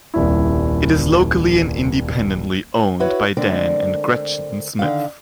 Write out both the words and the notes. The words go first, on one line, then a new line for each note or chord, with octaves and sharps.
It is locally and independently owned by Dan and Gretchen Smith.
D#1 C2 E4
E4 F#4 B4 C#5
D3 G#3 A3 C4 A#4 D5
D3 D#3 F5